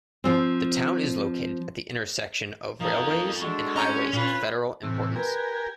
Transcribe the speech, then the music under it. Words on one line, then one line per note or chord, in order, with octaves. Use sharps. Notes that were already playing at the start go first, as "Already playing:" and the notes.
The town is located at the intersection of railways and highways of federal importance.
F3 C4
F3 A#3 D#4 A4
G#3 A3 D4 F#4
C#4 D#5 A#5 G6
A#2 F4 B4
A2 C3 E3
G4 A#4 B4 G#5